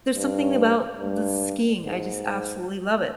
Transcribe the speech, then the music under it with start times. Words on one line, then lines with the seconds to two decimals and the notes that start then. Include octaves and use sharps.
there's something about the skiing. I just absolutely love it.
0.15 G2
0.97 G2
1.79 G#2